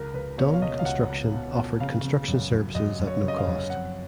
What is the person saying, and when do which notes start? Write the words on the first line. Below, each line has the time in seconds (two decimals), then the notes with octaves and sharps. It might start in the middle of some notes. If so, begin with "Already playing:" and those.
Dunn Construction offered construction services at no cost.
Already playing: C#2 A#4
0.14 C#2 B4
0.37 B2 C#5
0.54 F5
0.62 C#2 D#5
0.79 F5
0.85 C#2 F#5
1.10 C#2
1.33 B2
1.57 B2
1.80 C#3 F5
2.04 C#3
2.28 F#2
2.51 F#2
2.75 F#2 D#5
2.99 F#2
3.07 C#5
3.23 C#3 D#5
3.38 F5
3.47 F#2
3.70 F2 F#5